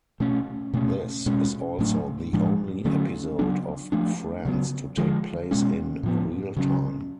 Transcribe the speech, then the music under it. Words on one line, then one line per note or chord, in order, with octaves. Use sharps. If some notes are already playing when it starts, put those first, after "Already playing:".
This is also the only episode of "Friends" to take place in "real time".
B2 A3 C#4
B2 A3 C#4
B2 G#3 C#4
A2 F#3 A3 D4
A2 F3 G#3 D4
D3 F#3 A3 C#4
C#3 F#3 B3 D4
F3 A3 D4
C#3 F#3 B3
D3 F3 G#3
B2 G#3 C#4
A2 F3 B3
C#3 F#3 C#4